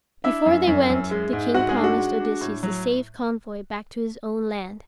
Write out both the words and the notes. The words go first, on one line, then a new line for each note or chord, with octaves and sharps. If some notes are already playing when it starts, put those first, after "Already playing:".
Before they went the King promised Odysseus a safe convoy back to his own land.
D4 E4 E5
F#2
F#2
F#2
G#3
G#2
G#2 F#4 F#5
G#3 G#4
D4
F#4
G#3
D4
A2
F#3